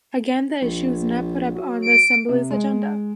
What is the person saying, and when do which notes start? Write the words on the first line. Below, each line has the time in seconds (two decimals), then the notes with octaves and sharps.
Again the issue was not put on the Assembly's agenda.
0.62 A#1
1.55 F#3
1.82 D7
2.29 C3
2.51 G#3